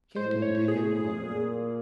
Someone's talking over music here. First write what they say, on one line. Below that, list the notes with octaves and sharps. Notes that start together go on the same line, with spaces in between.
Canton did him honor.
A2 C5
C#5
G#4
A#2